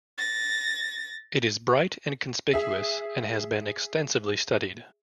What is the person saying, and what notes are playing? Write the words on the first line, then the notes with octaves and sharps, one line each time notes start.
It is bright and conspicuous and has been extensively studied.
A6 A#6
G#4 E5